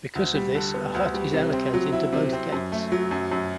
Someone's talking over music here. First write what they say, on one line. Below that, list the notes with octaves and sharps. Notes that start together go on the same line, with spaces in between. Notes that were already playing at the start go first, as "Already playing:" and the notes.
Because of this, a hut is allocated to both gates.
D2
G3
D3
B3
D2
G3
C3
C4
F#3
E4
C3
C4
F#2
A3
F#3
F#2
F#2